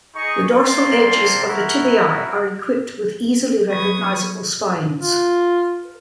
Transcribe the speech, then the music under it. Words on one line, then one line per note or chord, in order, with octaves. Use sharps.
The dorsal edges of the tibiae are equipped with easily recognizable spines.
D#4 G#4 D#5 C#6
A#3 C4 D4 A5 C6
E4 F#4 A#4
F#3 B4 C#6 D#6 G#6
F4